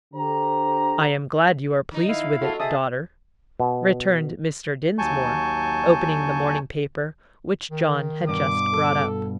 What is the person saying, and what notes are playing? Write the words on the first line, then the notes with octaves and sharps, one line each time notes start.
"I am glad you are pleased with it, daughter," returned Mr. Dinsmore, opening the morning paper, which John had just brought up.
D3 G4 C5 A#5
D#3 D#4
E4 F5
G#3 F4 F#4 A4
C4 G#4 E5 A5 D#6
B2
D#2 F#3 G#5 A5 C#6 G6
D#3
G2 B2 D6
A4